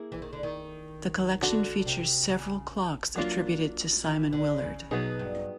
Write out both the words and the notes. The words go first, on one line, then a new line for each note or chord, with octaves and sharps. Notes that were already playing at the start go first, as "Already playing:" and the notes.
The collection features several clocks attributed to Simon Willard.
Already playing: A#3 E4 G#4
E3
D#3
D3
D#3
D3 D4 F#4 A4
C3
C#3
F#3 A#3 D4 F4
E3
D3
C#3
B2 F#3 B3 D#4 G#4
G2